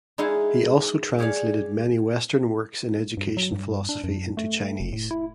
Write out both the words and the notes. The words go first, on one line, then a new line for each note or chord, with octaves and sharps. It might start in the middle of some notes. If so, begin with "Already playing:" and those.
He also translated many Western works in education philosophy into Chinese.
G#3 D#4 E4 G#4 F5 F#5
G4 G#4 C#5 D5 F5
G2
F#3
G2
D4
F#2
A3
F1
A2
E4